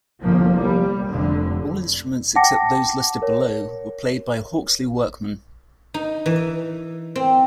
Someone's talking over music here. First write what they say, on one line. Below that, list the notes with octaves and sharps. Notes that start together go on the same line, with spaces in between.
All instruments except those listed below were played by Hawksley Workman.
G1 C2 F3 A#3
G3
F1 D3
F#5 G5 A5 D6 A#6 C#7
A#4 C#5
D#4
E3
C4